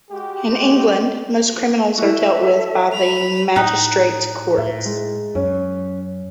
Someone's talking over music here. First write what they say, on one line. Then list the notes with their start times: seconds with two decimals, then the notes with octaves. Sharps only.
In England, most criminals are dealt with by the Magistrates’ Courts.
0.10 G#3 F#4 G4
1.98 E4 F#4 A4 E5
2.92 B5 F7
3.56 A2 D#4 G5 D#6 F#6
4.58 A2 E5
4.85 G#3
5.35 F#2 C#4